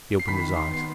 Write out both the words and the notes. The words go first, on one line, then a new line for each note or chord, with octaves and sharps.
He opened his eyes.
C7
D#3 B5 B6
C6 C7
B3 C7